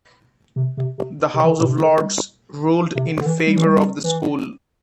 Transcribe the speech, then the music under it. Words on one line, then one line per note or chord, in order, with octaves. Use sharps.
The House of Lords ruled in favour of the school.
C3
C3
C3
C3
E3
D3
A2
C3
D3
G3
C3
D3
D3
E3
G3
E3
G3
E3